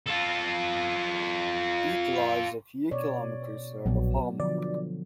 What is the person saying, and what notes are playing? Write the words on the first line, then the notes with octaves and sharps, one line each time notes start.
It lies a few kilometres north of Hamar.
F4 A4
B2 C#5 D5
A#1 F#3 B3
D3 F3 D5